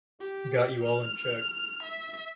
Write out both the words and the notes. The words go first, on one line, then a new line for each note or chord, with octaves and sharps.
Got You All in Check.
G4
F6
E5